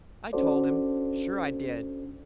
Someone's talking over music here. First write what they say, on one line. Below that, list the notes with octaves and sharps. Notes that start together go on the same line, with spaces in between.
I told him; sure I did.
C#4 D4 F#4 A4 C5 D5